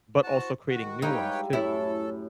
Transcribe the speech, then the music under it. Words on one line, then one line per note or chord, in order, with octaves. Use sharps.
but also creating new ones, too.
E4 F#4 C5 A5
D#3 F#4
G3 G#3 D#4 E4 B4 C#5 F5 G5
F#2 A2 E4 A4 C#5